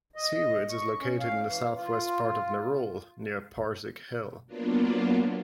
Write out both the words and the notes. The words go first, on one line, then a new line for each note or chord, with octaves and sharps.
Seawoods is located in the south west part of Nerul, near Parsik Hill.
D#5
C#6
C#4
F5
E3
F4
F#3 A#3 B3 D4 F4